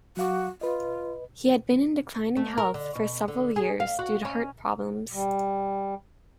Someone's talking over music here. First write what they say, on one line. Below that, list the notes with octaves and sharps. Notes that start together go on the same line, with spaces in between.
He had been in declining health for several years due to heart problems.
F#3 F#4 F5 D6
F4 B4 D#5
A3
A#4
D3
B2
D3
G#4
F5
F#4
C#4
G3